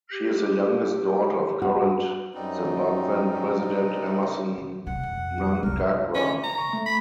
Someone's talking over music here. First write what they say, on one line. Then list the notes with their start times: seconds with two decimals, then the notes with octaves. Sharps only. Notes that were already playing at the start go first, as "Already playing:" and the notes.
She is the youngest daughter of current Zimbabwean president Emmerson Mnangagwa.
0.12 G4
1.62 F#4
2.34 F#2 G3 C4 D#4
4.87 C3 F#5
5.03 F2
5.63 F1 C2 A#4
6.15 C#4
6.44 A#5
6.57 C#6
6.73 A3
6.86 B5